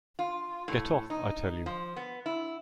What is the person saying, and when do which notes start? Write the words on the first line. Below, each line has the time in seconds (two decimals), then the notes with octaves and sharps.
Get off, I tell you.
0.19 F4
0.68 A2
1.10 D#4
1.66 F3
1.96 B3
2.26 E4